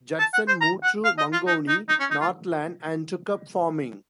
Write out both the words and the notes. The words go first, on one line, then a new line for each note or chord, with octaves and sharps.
Judson moved to Mangonui, Northland and took up farming.
A5
F#5
C5
A#5
F#5
F5
D#5
F4
D#4
D#4
D#4
C#4
D#4
F4